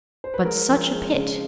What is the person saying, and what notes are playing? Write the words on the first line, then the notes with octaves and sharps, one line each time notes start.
But such a pit!
C5
B4
G#3 A#4
F3
G#3
C#3